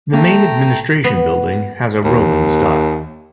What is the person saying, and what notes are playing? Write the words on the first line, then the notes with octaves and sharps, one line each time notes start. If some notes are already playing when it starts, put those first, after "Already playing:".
The main administration building has a Roman style.
A3 A#3 G5 A#5
B3
D#2